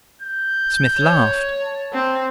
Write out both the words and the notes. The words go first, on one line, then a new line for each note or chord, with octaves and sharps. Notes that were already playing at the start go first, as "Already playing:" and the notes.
Smith laughed.
G6
C#5
A5
C4